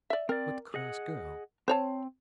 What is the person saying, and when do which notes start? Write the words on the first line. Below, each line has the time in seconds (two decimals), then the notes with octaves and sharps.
What cross girl!
0.10 D5 E5
0.29 C4 A#4 D5
0.74 G#4 D#5 F#5
1.68 C4 C5 C#5 A5